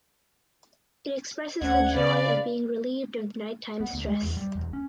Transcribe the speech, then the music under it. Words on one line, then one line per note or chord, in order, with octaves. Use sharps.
It expresses the joy of being relieved of nighttime stress.
D2 C#4 C5 F#5 G#6
C#3 B4 D5 F5
B3
D2
G#3
E2
G3
E1
C#4